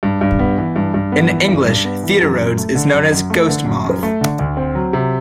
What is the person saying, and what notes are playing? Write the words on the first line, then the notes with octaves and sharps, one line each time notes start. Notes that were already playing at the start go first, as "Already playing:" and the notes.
In English "Thitarodes" is known as "ghost moth".
G2
G2
B3
E3
G2
G2
B3
E3
G2
G2
B3
E3
F#2
F#2
A3
D3
F#2
F#2
A3
D3
F#2
F#2
A3
D3
D2
C4
F#3
C3